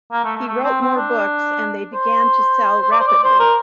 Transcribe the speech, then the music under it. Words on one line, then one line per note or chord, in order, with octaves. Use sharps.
He wrote more books and they began to sell rapidly.
A#3
A3
A3
A3
C4
C4
D4
C5
C5
D5
C5
D5
C5
A#4